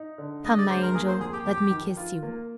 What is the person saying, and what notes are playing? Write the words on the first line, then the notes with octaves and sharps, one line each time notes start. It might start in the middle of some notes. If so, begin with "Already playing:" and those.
"Come, my angel; let me kiss you."
Already playing: D#4
D3
G#3 D#5
D5
D2 C5
A#4
A#3 G#4
C5
F2 G#4
G4
F2 G4
D#3
F4
A#3